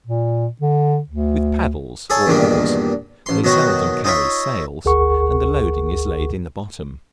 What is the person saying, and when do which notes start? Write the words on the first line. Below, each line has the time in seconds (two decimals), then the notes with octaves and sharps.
With paddles, or oars; they seldom carry sails, and the loading is laid in the bottom.
0.06 A#2
0.61 D3
1.09 D2
2.10 G#4 A4 C#5 A5
2.27 E2 G2 A#2 D#3 G3 A#3
3.26 A1 C6
3.44 B2 D#3 F#3 D#4 F#4
4.04 D#4 F4 C#5 E5
4.85 G1 D2 G#4 A#4 F#5 C#6